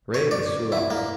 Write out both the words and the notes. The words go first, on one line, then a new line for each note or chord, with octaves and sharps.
Rey de Sulaco!
C#5
D5
E4
A#3